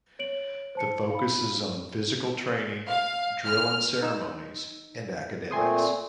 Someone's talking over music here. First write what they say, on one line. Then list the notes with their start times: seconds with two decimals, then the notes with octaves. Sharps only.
The focus is on physical training, drill and ceremonies, and academics.
0.19 C#5 D7 F#7
0.75 C5 A5 C#7
1.10 F5 B5
2.88 F5
3.47 F6
4.03 D#4 E6
5.51 A#2 A3 C4 G#5 C6 D#6